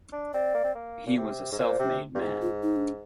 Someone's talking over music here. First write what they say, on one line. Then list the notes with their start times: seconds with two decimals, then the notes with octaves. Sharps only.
He was a self-made man.
0.13 D4
0.33 C4 D5
0.55 A#3
0.64 C4
0.75 A#3
1.07 A#2
1.17 C3
1.52 G#2
1.59 A#2 C5
1.79 C3
2.15 G2
2.21 G#2
2.42 F4
2.63 D#4
2.76 D4